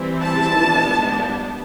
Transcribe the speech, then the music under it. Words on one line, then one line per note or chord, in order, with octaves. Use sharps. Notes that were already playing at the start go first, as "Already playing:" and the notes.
The school has its own band.
Already playing: E3 G3 C4 E4
A5
G3 B3 D4